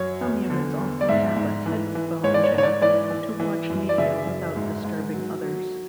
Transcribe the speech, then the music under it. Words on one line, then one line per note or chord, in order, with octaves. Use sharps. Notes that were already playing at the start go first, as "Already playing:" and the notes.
Some units also have a headphone jack to watch media without disturbing others.
Already playing: F#2 F#3 C#5
E2
D3
E2
D5
G#2 E5
G#2
E3
E3
G#2 C#5
D5
C#5
G#2
C#5
D5
E3 D5
E3
E3
F#2
D5
C#3 E5
F#2
G#2
G#2
F#3
F#3